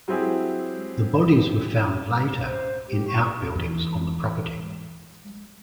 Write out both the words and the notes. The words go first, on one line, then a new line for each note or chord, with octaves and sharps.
The bodies were found later in outbuildings on the property.
F#3 C4 E4 G4 G#4
C5
G4
C#6
E2 E3